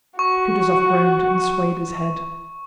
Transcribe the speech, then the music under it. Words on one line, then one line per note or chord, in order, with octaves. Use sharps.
Kutuzov groaned and swayed his head.
F#4 C#6